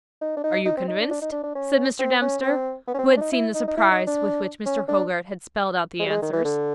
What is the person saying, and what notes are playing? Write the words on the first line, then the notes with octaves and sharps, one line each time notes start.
"Are you convinced?" said Mr. Dempster, who had seen the surprise with which Mr. Hogarth had spelled out the answers.
D#4
D4
D#4
D#4
C4
D#4
D4
D4
D#4
D4
D4
C#4
C4
C#4
C4
B3
C#4
C4
C#4
D4
D#4
E4
D#4
D#4
E4
D#4
D4
C#4
D4
G#3
G3
G#3
D#3
E3
D3